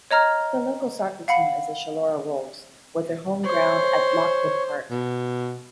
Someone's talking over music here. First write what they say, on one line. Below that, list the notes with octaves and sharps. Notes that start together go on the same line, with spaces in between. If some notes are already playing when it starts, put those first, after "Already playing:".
The local soccer team is the Chullora Wolves, with their homeground at Lockwood Park.
C#5 D#5 A#5 F6
F5 F#5 B5
C5 C#5
B2